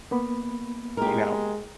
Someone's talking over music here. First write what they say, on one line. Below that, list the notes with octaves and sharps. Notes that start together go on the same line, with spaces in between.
You know?
A#3 B3 B5
G#3 G4 A#4